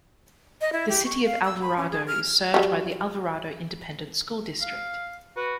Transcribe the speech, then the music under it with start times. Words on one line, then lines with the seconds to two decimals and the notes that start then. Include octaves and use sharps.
The City of Alvarado is served by the Alvarado Independent School District.
0.61 D#5
0.73 E4
0.89 G4
1.05 C#6
1.25 F5
1.45 E6
1.61 B5
1.77 C#4
1.91 G#4
2.08 F6
2.54 F#3 G3
4.61 F5
5.36 F#4 B4